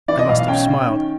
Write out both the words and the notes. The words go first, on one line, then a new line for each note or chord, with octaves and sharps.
I must have smiled.
E3 D5
D#5
B1 F5
F5
C#4 G5
C#4
D#3